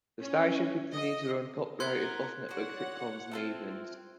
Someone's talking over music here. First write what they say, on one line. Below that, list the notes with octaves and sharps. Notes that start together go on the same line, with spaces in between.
The station continued to run top rated off-network sitcoms in the evenings.
C#4
D#5
B3 A#4 C6 F#6 G#6
D3 F#4 C#5 F#5
C4 F4 A4 E5